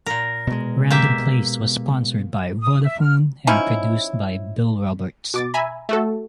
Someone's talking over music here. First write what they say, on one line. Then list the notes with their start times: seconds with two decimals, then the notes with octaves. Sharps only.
Random Place was sponsored by Vodafone and produced by Bill Roberts.
0.06 A#2 A#4
0.47 B2 G#3
0.91 A#3 G4 E5
2.60 D#6
2.83 E5
3.01 F6
3.47 F3 C#4 D#4 E4
5.34 B2 D6 A6
5.54 E5 G#5 A#5 B5
5.89 A3 F#4 A4